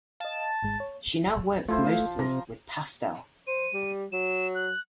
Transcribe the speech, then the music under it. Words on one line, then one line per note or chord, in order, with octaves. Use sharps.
She now works mostly with pastel.
D#5 F5 A5
G#1 G#2 G#3
C#5
F3 A3 E4 C5
F5
C3 A#5
C5 D#7
G3
F#3 E7
F#6